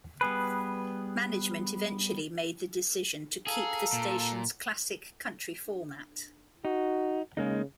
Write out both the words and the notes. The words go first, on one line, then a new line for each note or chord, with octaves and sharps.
Management eventually made the decision to keep the station's classic country format.
G3 B3 G#4 B4
G#4 A4 F5 A#5
A#2
D#4 F#4
C#3 G#3 A#3 D#4